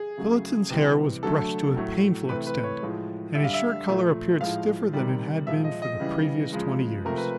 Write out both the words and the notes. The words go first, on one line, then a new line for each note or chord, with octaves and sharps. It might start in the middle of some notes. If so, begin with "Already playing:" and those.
Phillotson's hair was brushed to a painful extent, and his shirt collar appeared stiffer than it had been for the previous twenty years.
Already playing: G#4
C#3 F#3 A3
C3 E3 G3
D3 F#3 A3 A4
A2 F#3 A3
C3 E3 A3 B4
B4
C#5
A2 F3 G#3
D3 G3 E5
F5
E5
A#2 F3 A3
A2 F3 G#3 F5
C3 D#3 G3
A#2 F3 G#3 E5
D#5
D#5
C#3 E3 G3
C#3 F3 G#3
C3 F3 A3 A#4
B4